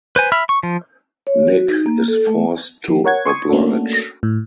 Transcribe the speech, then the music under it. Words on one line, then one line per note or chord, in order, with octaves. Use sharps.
Nick is forced to oblige.
B4 C5 G#5
E5 B5 E6 F6
C#6
F3
C#5
F#4
D#4
A#3
A4
A3
F3
A#4 C#5 F#5 G#6
C6 C#6 D#6 G#6
A3 A#3 C#4 D4 F#4 A4
A2